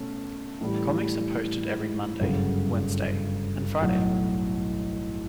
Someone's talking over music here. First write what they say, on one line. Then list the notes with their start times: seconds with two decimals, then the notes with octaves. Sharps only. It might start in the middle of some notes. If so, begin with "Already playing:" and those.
Comics are posted every Monday, Wednesday, and Friday.
Already playing: B2 A3 C#4
0.61 A2 E3 G3
2.20 G1 F#2 C#3 F#3 C#4
3.81 B1 A2 F#3